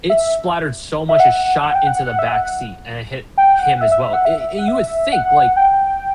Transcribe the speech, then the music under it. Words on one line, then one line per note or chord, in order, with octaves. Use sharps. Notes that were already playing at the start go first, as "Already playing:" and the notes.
it splattered so much and shot into the backseat, and it hit him as well, a and you would think, like,
E5
E5
F#5
F#5
G5
F#5
F#5
E5
F#5
G5
F#5
E5
E5
E5
F#5
E5
F#5
E5
F#5
G5
G5